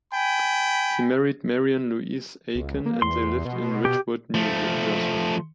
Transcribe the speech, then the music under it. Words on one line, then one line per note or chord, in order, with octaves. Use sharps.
He married Marion Louise Aiken and they lived in Ridgewood, New Jersey.
G5 G#5 B5
C#2
A#3
E2 C6
B2
G4
F3 A3